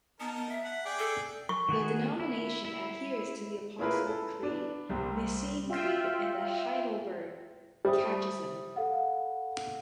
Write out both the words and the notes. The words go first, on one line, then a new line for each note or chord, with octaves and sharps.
The denomination adheres to the Apostle Creed, Nicene Creed and the Heidelberg Catechism.
B3 D#4 A#4 A5
B3
E5
F#5
G#4 D5 G5
A4
C#6
D#3 F#4 G#4
E4
E4
C#4 E4 F4 G#4 A#4 B4
A4
B3 D4
C2 C3 G3 A#3
F4 E5 G5
G3 C5 E5 D#6
A4 F5 F#5